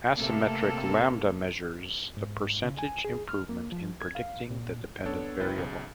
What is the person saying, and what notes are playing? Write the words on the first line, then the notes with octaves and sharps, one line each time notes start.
Asymmetric lambda measures the percentage improvement in predicting the dependent variable.
C3 A3 A#3 C4 D4 A4
G#2
C#3
G#5
G#4
F6
A#3
F3
G#6
F5
A#2
B3 D4 A4 C#5
C#2 E4 B4 G5 A6
B1 C#3